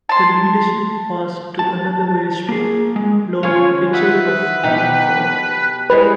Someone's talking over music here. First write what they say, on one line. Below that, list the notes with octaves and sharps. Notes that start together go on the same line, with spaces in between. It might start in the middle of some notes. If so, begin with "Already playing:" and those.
The leadership passed to another Welshman, Lord Richard of Ammanford.
A5 C6
A5
A#3 G#4
G#3
C#4 F4 C#5
D#4 B4 E5 F#5
B2 D#4 G4
E3 G3 G#3 B4